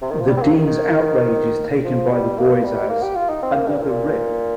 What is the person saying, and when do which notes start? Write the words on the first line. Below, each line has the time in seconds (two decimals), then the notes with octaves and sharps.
The dean's outrage is taken by the boys as "another rib".
0.02 C3
0.11 D#3
0.20 F3
0.28 G3
0.37 C4
0.42 A#3
0.54 D#3
0.67 D#3
1.85 F3
2.12 G3
2.38 A#3
2.64 G3
2.90 A#3
3.03 G4
3.16 F4
3.29 D#4
3.43 C4
3.55 A#3
3.68 G2
3.81 A#2